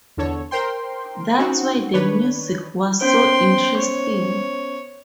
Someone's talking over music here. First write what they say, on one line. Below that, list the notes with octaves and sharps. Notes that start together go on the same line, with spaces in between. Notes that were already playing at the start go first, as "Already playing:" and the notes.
That's why the music was so interesting.
E2 D3 A4 C#5
A#4 C5 G5 C6
C4 C#4 D#4 F#4
D#3 D4 B4 C#5
B3 C#4 C5 G5 C6
C#5